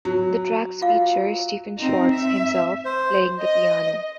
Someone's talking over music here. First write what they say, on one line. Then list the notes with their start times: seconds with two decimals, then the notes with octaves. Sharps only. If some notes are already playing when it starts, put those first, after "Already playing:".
The tracks feature Stephen Schwartz himself playing the piano.
0.05 F#3
0.82 F4 F5
1.78 C4 D#4
2.13 E5
2.85 C5
3.41 D#5